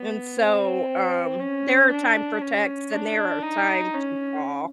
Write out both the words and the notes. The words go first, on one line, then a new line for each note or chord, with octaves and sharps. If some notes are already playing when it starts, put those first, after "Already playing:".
And so, um, there are time for texts and there are time to call.
Already playing: B3
C4
C#4
D4
C#4
D4
D#4
C#4